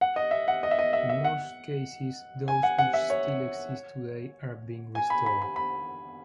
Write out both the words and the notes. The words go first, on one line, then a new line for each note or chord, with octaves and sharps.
In most cases those which still exist today are being restored.
F#5
D#5
E5
F#5
D#5
E5
D#5
E5
E5
F#5
G#5
F#5
F#5
E5
C#5
G#5
B5
B5
B5
B5